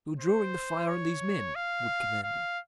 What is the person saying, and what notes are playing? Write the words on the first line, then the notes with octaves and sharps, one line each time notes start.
"You're drawing the fire on these men," Wood commanded.
C5
C#5
F5
F5